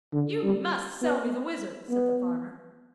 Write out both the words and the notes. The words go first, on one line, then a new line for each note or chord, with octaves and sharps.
'You MUST sell me the wizard,' said the farmer.
D3
G3
B3
B3